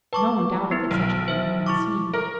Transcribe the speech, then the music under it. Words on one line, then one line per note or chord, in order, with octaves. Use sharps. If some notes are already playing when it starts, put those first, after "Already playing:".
No one doubted that such a thing had been seen.
B4 A5 C#6 D6
B3 E4
B1 F6
C5 E5
E4 C#6 D6
A4 A#4